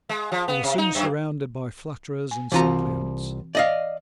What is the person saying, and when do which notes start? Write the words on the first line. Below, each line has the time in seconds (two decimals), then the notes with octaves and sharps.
He was soon surrounded by flatterers and suppliants.
0.09 G#3
0.32 F3
0.48 B3
0.63 C3
0.78 D#4
0.95 F#2
2.31 G#5
2.52 C2 E3 C4 F4 F#4 A#5
3.55 D5 D#5 F5